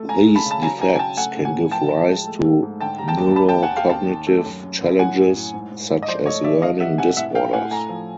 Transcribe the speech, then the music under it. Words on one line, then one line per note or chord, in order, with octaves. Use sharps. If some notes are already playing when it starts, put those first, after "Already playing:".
These defects can give rise to neurocognitive challenges such as learning disorders.
Already playing: A3
C#2 G#5 A#5
G#3
A5 B5
C#3
A5
F#3 G#5 A#5
F#3 G#5 A#5
G#5
C#3 G5 A5
A3 F#5 G#5
A2
F#5 G#5
A2
F3 G5 A5
F3
G#3
A3
A3
G#2
D3 G5 A5
G3 A#5
G5 A5
D#2
D#2 A5 B5
G5 A5
D#2
F#5 G#5
D#2 F5 G5
D#2 G5 A5
D#3
A3
F#2
F#2
F#2
A2 F#5 G#5
A2
A2
G#2
G#2
G#2
D#5
F3 C5 D5
A3 C#5 D#5
F3 D5 E5
F2 D#5 F5
G3 E5 F#5
C3 F#5 G#5
A2 E5 F#5
A3 F5 G5
A2 F#5 G#5
A3 G#5 A#5
F3